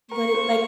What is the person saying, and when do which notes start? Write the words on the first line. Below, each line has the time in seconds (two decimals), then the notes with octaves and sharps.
but it, like
0.11 A#4 C#6
0.34 C5
0.49 F5